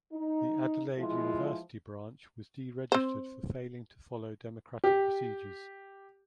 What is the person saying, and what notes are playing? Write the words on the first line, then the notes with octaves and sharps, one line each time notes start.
The Adelaide University branch was deregistered for failing to follow democratic procedures.
D#4
E3 F3 G#3 E4 F4
C4 C5
G4